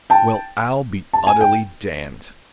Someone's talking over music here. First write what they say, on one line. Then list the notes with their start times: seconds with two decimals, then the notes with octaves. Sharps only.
"Well, I'll be utterly damned!"
0.10 G5 A5
1.13 A5
1.27 G#5
1.41 G5